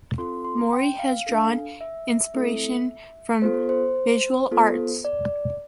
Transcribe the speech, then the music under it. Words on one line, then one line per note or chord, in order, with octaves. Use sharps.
Mori has drawn inspiration from visual arts.
C4 F4 A4 C6
C6
G5
F5
D4 A4
E5
A3 C4 E4 A4
B3 F4 A4 C5
C5
B3 F4 A4
D5